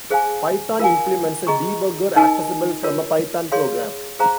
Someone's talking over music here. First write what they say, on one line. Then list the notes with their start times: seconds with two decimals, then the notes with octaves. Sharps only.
Python implements a debugger accessible from a Python program.
0.10 G#4 C5 F5 G#5
0.79 F4 A#4 F5 G#5
1.47 G#4 D#5 A#5 C#6
2.16 D#4 A#4 D#5 G#5
2.83 F4 A#4 C#5
3.52 G#4 C#5 F5 C6
4.19 G#4 C5 F5 A#5